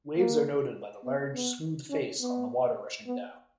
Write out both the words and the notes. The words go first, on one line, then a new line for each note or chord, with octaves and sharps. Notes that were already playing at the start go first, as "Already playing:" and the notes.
Waves are noted by the large smooth face on the water rushing down.
A#3
B3
B3
C#4
B3
B3